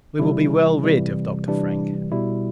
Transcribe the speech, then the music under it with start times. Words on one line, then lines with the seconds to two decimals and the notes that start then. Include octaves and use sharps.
We will be well rid of Dr. Frank.
0.19 C3 E3 G3 E4
0.83 C3 E3 G3
1.48 C3 E3 G3 D4
2.12 B2 G3 E4